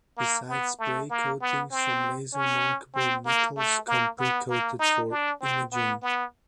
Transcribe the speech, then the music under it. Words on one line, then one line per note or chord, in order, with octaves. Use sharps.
Besides spray coatings, some laser-markable metals come pre-coated for imaging.
A#3
B3
A3
A#3
B3
C4
C#4
C4
A#3
A3
A#3
B3
A#3
D#4
D4
C4
B3
B3